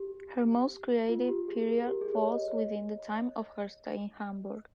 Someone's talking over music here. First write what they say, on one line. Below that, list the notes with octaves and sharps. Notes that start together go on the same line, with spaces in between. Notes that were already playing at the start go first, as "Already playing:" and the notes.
Her most creative period falls within the time of her stay in Hamburg.
Already playing: G4
F4
G4
G#4
A#4
G4
G#4
C#5
D#5
C#5